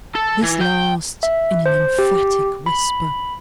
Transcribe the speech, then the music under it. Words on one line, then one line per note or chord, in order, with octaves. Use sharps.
This last in an emphatic whisper.
A4
E3
G5
E5
C5
G4
B5